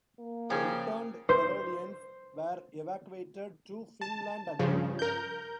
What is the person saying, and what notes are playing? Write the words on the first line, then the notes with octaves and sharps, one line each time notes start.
The returned Karelians were evacuated to Finland again.
A#3
C#3 F3 G4 G#5
C5
A5
G2 C#3 F3
A#4 G6